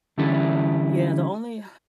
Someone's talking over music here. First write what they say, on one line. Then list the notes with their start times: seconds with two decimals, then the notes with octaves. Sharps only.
Yeah the only
0.18 D3 E3 G3 C#4 E4 A4